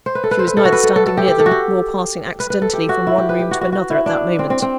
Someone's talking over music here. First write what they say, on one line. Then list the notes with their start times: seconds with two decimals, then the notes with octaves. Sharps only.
She was neither standing near them, nor passing accidentally from one room to another at that moment.
0.06 C5
0.15 B4
0.24 A4
0.31 B4
0.39 C5
0.47 B4
0.57 A4
0.65 F#4
0.72 B4
0.84 A4
0.96 A4
1.06 A4
1.17 G4
1.28 G4
1.40 A4
1.46 F#4
1.51 G4
2.40 B4
2.50 B4
2.62 A4
2.73 G4
2.89 F#4
3.07 E4
3.18 G4
3.29 B4
3.39 G4
3.51 F#4
3.61 F#4
3.72 F#4
3.90 E4
4.06 D4
4.39 C4
4.50 C4
4.62 C4